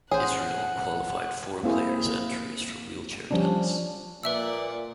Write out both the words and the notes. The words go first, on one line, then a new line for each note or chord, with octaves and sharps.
Israel qualified four players entries for wheelchair tennis.
A1 C#4 G#4 C5 F#5 C7
A#3 C4 E4 G#4 C5
F3 G3 C#4 D4
A#2 B4 D5 E5 F#5 E6